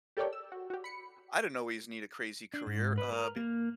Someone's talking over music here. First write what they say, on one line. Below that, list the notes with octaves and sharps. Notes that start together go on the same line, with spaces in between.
I didn't always need a crazy career, uh,
G4 A4 A#4 C#5 D5 G5
E6
F#4
F#4 G4
B5 C#7
D4
G#2
B4
A#4
A#3